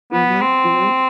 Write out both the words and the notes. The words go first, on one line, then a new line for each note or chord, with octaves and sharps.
Mhm, mhm.
B3
C4